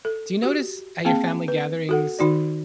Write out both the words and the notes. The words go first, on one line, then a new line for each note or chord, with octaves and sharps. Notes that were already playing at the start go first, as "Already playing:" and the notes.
do you notice at your family gatherings,
A4
F#4 G4
A#3 C4 G#4 F5 G5 A5
B4
F#4 A4 F#5
D#3 D#4 F#4 D5